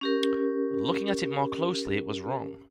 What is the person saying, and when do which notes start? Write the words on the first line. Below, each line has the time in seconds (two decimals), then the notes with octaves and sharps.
Looking at it more closely it was wrong!
0.01 C#4 G4 A#4